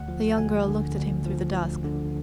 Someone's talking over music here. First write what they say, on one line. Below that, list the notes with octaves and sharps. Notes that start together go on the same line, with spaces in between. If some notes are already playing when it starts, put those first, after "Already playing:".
The young girl looked at him through the dusk.
Already playing: D2 F#5
F3
D2 G#5
D3
D2
F3
D2
D3